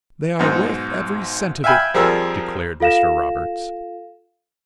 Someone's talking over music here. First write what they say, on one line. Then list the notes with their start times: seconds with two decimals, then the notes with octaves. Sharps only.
"They are worth every cent of it," declared Mr. Roberts.
0.39 B1 G#2
1.64 E5 F5 G5 G#5 B5
1.94 F2 F3 G3 G#4 A#4 E6
2.80 F4 A4 F5 A#6 E7